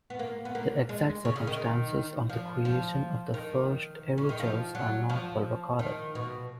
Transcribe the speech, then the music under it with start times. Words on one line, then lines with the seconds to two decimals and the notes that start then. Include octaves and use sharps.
The exact circumstances of the creation of the first aerogels are not well recorded.
0.10 B3
0.19 A#3
0.45 B3
0.55 A#3
0.89 G#3
1.25 C#3
1.36 C#3
1.47 D#3
2.30 F3
2.65 F3
3.34 D#3
4.18 C#3
4.29 D#3
4.40 F3
4.75 F#3
5.09 F3
5.79 D#3
6.15 B2